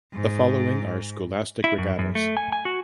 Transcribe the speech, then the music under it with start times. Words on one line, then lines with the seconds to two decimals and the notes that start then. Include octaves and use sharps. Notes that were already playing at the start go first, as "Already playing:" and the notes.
The following are scholastic regattas.
0.14 G#2
1.64 E4
1.78 F#2
1.99 F#2
2.15 A3
2.37 G#5
2.52 G#5
2.65 F#4